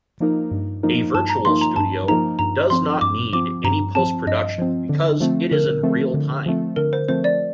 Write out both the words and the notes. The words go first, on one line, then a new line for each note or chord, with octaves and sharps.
A virtual studio does not need any post production because it is in real-time.
F3 A#3 D#4 A#4
G2
F3 A#3 D#4 A#4
G2 A5
A#5
F3 A#3 D#4 A#4 C6
A#5
G2 A5
F3 A#3 D#4 A#4 A#5
G2 A#5
F3 C4 C6
G2 D6
F3 C4 D6
G2 A#5
F3 C4 A5
G2 D#5
F3 C4
D3
F3 A3 C4
D3 A#4
F3 A3 C4
D3
F3 A3 C4
D3 A#4
C5
F3 A3 C4 C5
D5